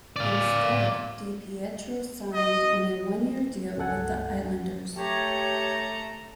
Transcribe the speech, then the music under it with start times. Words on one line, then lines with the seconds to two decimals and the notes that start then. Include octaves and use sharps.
Instead, DiPietro signed on a one-year deal with the Islanders.
0.16 D5 F5
2.34 D#5
3.78 C#2 G2 A4 F#5 G#5
4.97 A3 G4 C#5 A#5